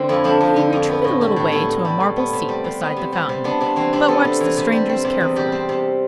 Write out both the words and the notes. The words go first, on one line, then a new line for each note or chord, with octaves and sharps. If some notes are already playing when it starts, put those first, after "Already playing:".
He retreated a little way to a marble seat beside the fountain, but watched the strangers carefully.
Already playing: D3 C4
F2 E4
F3 D4
F2
D3
F2
B3
A2
G3
A2
B3 E4
A2
G3
A2
B3
C3
G3
C3
B3
C3
G3
C3
B3 D4
C3 D4
E3 C4
C3 D4
B3 A4
C3
E3
C3
G3
C4
C3
E2
G3 G4
C4
C3